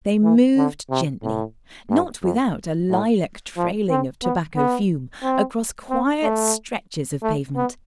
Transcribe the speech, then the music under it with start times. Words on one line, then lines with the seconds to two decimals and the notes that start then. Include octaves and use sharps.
They moved gently, not without a lilac trailing of tobacco fume, across quiet stretches of pavement.
0.23 E3
0.57 D3
0.90 C3
1.23 A2
1.90 G2
2.23 F2
2.90 A2
3.57 F3
3.90 C4
4.23 B3
4.56 B3
5.23 C4
5.90 C4
6.23 A3
7.22 A3
7.56 B3